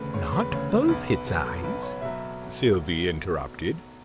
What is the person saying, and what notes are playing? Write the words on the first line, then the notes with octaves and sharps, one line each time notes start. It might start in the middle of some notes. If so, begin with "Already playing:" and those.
"Not both its eyes," Sylvie interrupted.
Already playing: E1 D2 C#3 A4 B4
E1 C#5
B4
D2 C#3 C#5
B4
B1 B4
B4
B2 F#3 B4
A4
B1 B4
C#5
B2 F#3 E5